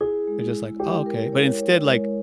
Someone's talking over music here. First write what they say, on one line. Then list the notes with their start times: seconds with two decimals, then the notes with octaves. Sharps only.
They're just, like, "Oh, okay." But instead, like
0.01 E4 G#4
0.27 G#3
0.54 E4
0.80 G#3 G4
1.06 A#4
1.32 C#5
1.59 C#5
1.85 G#3